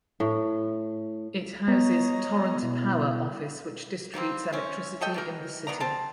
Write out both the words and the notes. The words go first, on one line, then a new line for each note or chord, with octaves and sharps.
It houses Torrent Power office which distributes electricity in the city.
A2
B3 C#5 D#5 A#5
B2 E4
D#3 G3 A#3 C4
C4 C#4
F#3 A4 D#5 G5
B2 E3 A#4
D#3 B3 D5 A#5
C4 A5